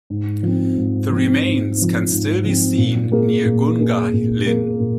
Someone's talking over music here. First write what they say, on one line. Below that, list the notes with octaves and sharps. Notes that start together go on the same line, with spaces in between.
The remains can still be seen near Gungahlin.
G#2
F3 C4
G#2
F3 C4
G#2
F3 C4
G#2
F3 C4
A#2
A#3 G#4
A#2
A#3 G#4
A#2
A#3 G#4
A#2